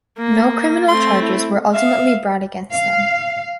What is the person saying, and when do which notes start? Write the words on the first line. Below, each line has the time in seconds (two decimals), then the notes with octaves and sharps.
No criminal charges were ultimately brought against them.
0.19 A#3
0.89 A3 C4 C6
1.22 E4
1.75 E5 F5
2.73 F5